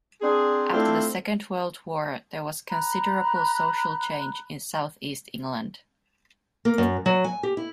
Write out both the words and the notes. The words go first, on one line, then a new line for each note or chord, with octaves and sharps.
After the Second World War, there was considerable social change in South East England.
C4 D4 G#4
A3 C4 D4 E4 F4
A#5 B5 F#6
A#3
F#2
F#3
G#5
G4
E4